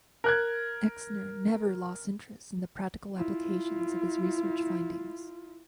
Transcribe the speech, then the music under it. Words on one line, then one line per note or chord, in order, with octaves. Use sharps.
Exner never lost interest in the practical application of his research findings.
A#4 F#6 G#6
E4 F4